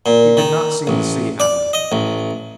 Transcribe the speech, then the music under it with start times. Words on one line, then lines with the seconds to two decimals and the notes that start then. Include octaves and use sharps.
He did not seem to see Adam.
0.06 A#2
0.37 D#3
0.87 A1
1.40 D5
1.73 D#5
1.92 A1